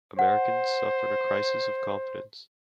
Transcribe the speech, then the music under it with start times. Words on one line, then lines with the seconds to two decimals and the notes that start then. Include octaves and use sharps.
Americans suffered a crisis of confidence.
0.19 C5 F#5